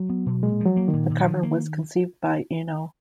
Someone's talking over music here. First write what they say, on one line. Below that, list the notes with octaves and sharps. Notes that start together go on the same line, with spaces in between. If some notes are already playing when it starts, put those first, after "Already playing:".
The cover was conceived by Eno.
Already playing: F#3
B3
B2
A#2 G#3
F3
F#3
A#3
D#3
A#2
A#2
F3
A#3